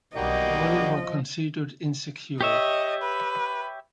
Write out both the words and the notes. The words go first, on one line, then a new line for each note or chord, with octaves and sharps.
All were considered insecure.
B1 G3 A#3 D#4 F#4 D#5 G5
F3
G4 C#5 D#5 E5
B4